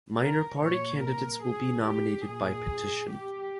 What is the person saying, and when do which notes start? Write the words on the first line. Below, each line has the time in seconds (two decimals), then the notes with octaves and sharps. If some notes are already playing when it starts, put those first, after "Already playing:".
Minor party candidates will be nominated by petition.
0.18 A#4
0.60 A#2 C#5
1.02 A#4
1.43 G#4
1.87 G4
2.27 A#2 G#4
3.12 G4